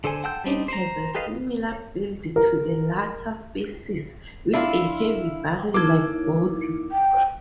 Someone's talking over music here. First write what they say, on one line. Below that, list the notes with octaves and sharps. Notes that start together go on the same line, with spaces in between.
It has a similar build to the latter species, with a heavy barrel-like body.
D3 A4 C5 G#5
F#5 G5 A5 E6 G6
G3 C4 D4 D#4
C5 A#5
G4 A4 B4 D#5 F5
A#4
D4 E4 F4 E5 F5
A#3 D#4 E4 A4 D6 G#6
G5